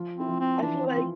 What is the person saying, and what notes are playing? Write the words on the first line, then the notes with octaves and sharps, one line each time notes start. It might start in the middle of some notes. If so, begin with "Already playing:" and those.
I feel like
Already playing: F3 F4
C4 E4
F3 F4
C4
E3 D4 E4
C4
F3 F4